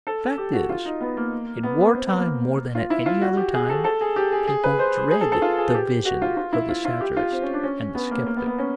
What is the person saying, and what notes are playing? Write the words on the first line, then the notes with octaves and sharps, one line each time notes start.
The fact is, in war time more than at any other time, people dread the vision of the satirist and the sceptic.
A4
G4
F#4
F4
D#4
B3
A#3
B3
B3
C4
B3
A#3
F4
E4
F4
F#4
G4
G#4
A4
A4
G#4
G4
G#4
G#4
B4
C5
G#4
A4
A4
F4
G#4
G4
F#4
F4
F4
E4
F4
F4
G4
F4
C4
C#4
D4
C#4
B3
A#3
A#3
B3
B3
C#4